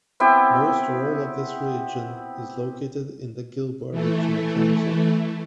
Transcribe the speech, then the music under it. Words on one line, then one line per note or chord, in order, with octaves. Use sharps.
Most or all of this region is located in the Gilboa Regional Council.
B3 C4 E4 G4
E3 A3